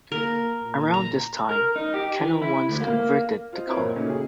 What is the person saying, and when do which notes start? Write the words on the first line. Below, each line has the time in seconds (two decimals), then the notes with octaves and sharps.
Around this time, Canal Once converted to color.
0.12 A#3 A#4
0.62 A#2
0.94 A#5
1.49 A#4
1.76 D#4
1.94 G4
2.20 E3
2.42 E4
2.69 D2
2.81 A#3
3.53 F4 C5 D#5
3.67 C4 E4 F4 A#4 B4 C#5
3.78 A#2
3.95 C#3 A3 A#3 C#4 D#4 F#4
4.10 G#4